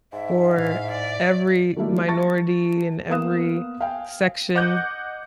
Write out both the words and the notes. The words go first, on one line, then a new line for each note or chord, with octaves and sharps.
for every minority and every section,
G#2 E5
A2 F5
D5
D#3 F#3 G3 A3 A#3 E4
A5 C#6 A6 A#6
A#3 B3 F5 D#6 F#6 E7
F5 G5 G#5
D#5 F#5 D6 F#6 G6